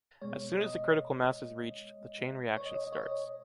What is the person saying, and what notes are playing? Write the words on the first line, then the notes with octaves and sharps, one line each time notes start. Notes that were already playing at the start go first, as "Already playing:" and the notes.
As soon as the critical mass is reached, the chain reaction starts.
B2 G#3 C#5
D#5
C#5
D#5
C#5
D#5
C#5
D#5
C#5